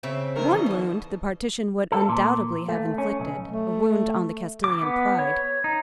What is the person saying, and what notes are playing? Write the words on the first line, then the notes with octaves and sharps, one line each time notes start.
One wound the partition would undoubtedly have inflicted, a wound on the Castilian pride.
C#3 C4 E5
D3 D#3 A#4
E2 B2 D#5
D3 A5
A4
A#2
A3
C#4
B1
A3
D6
B3
C#5
D#4